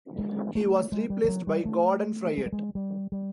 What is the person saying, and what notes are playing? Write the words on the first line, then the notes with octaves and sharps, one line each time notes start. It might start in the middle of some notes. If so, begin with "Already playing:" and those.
He was replaced by Gordon Fryett.
G#3
A3
G#3
G3
F3
F#3
G3
A3
G#3
G3
G#3
G3
G3